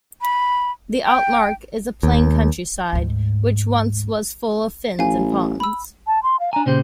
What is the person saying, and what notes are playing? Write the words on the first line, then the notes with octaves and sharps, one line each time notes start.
The Altmark is a plain countryside, which once was full of fens and ponds.
B5
G5
D#2
D2 G#2
A1 F5 G#5
B5 E6
A5
C6
F5
D4 G#5 A#5
A#2 C#3 G4 C5